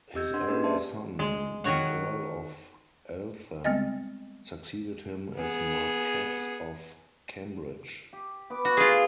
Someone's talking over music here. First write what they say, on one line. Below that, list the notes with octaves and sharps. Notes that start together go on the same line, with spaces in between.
His elder son, the Earl of Eltham, succeeded him as Marquess of Cambridge.
C4 G4 D#5 E6 G6 G#6
D4 D#5 F#5 C6 G#6
A#3 C#4 D4 G4 G#4 B4
C5 D5 E5 A5 C6
G#3
D#3 F#4 C#5 F#5
G3 G#3 B3 C4 D#5
B3 G#4
G4
B3 B4 D6
F#4
F4 G#4